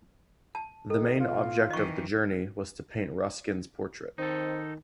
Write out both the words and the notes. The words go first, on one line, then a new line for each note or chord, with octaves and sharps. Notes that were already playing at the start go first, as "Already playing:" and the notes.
The main object of the journey was to paint Ruskin's portrait.
A5
D#3 A4
B2 F4
D#3 E3 D#5 C#6
D#3 C4 D#4 A4